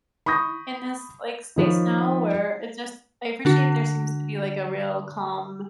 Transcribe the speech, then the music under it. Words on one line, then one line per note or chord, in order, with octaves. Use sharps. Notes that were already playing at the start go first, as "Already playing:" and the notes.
in this, like, space now where it's just" I appreciate there seems to be, like, a real calm,
B5 C#6 D#6 G6 A#6
D#3 F3 B4 C#5
D3 D4 F#4